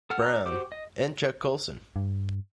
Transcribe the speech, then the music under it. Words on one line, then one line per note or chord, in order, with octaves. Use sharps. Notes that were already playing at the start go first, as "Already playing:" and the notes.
Brown, and Chuck Colson.
A4 F#5 F6
D5 A#5
F#4 G4 C5 D6
D#5
G2